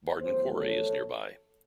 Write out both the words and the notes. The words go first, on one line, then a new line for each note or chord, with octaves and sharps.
Bardon Quarry is nearby.
E2 D#3 F#3 A3 G#4 C5
A4 C#5